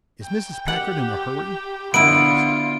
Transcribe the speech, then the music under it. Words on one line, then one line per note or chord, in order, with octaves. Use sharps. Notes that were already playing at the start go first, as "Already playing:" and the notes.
"Is Mrs. Packard in a hurry?" I asked.
G5
G4 F#5
D3 B3 E4 F4 D7